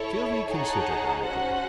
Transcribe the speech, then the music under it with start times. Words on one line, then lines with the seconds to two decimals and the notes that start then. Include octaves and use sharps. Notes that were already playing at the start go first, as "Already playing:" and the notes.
Sylvie considered a little.
Already playing: E4 A4 C#5
0.50 D#4 G#4 C#5 F#5 A5
1.23 C#4 F#4 C5 F#5